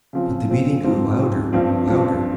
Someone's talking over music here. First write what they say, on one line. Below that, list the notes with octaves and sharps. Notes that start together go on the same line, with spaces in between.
But the beating grew louder, louder!
C#3 F3 C4
C#3 F3 C4
G#2 F3 C4 G4
G#2 F3 C4 G4
G2 F3 C4
G2 F3 C4